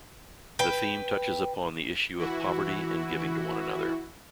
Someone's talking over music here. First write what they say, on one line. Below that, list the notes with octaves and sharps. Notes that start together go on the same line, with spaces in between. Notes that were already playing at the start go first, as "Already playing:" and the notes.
The theme touches upon the issue of poverty and giving to one another.
B4 G5
E3 E4 F#4